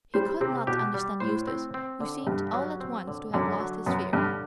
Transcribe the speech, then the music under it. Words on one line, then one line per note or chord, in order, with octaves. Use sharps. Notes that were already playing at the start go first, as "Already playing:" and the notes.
He could not understand Eustace, who seemed all at once to have lost his fear.
G3 C5
C3 C4
B2 G4
G3
A2 C5
C4
C4
D3
G2 D3
F#3
C4
D3
F#2 D3
F#3
F#2 B3
G2 D3